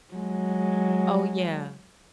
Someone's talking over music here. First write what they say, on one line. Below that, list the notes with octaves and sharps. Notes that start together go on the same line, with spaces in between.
Oh, yeah,
F#3 G#3